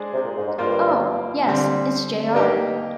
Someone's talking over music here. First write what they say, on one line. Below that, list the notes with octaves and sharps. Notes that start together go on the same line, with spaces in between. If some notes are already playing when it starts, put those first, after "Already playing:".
Oh, yes, it's J. R.
Already playing: G#3 D4 G#4 C5
C3
A#2
G#2
G#2
G2 A#3 F4 C5
D3 G3 C4
G2 A#3 D#4 G4